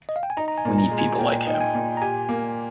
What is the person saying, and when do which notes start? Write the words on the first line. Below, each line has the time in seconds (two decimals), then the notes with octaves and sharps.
We need people like him.
0.09 D#5
0.16 F5
0.23 G5
0.30 G#5
0.37 D#4 A#5
0.48 A#5
0.58 G#5
0.65 A#2
0.78 A#5
0.91 G#3
0.99 G#5
1.19 A#2 G5
1.47 D#4
1.54 G5
1.61 G#5
1.74 A#2
1.97 A#5
2.02 G4 G#5
2.29 A#3